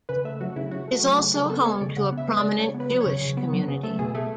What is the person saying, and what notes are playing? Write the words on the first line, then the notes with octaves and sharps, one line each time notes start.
It is also home to a prominent Jewish community.
C#3 B4
A3 E5
F#3 F#4
C#3 E4
C#3 F#4
A3 F#4
F#3
F#4
C#3
C#3 G#4
B3 A4
G#3 C#5
C#3 D5
C#3 F#5
B3 E5
G#3
D5
C#3
C#3 C#5
B3
B4
F#3
C#5
C#3
C#3
B3
F#3
C#3
A3 A4
B2 G#4
A3 G#4